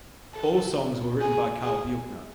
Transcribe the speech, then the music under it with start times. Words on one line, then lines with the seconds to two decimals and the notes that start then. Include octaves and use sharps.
All songs written by Karl Buechner.
0.34 A4
1.21 G#4
1.64 G#4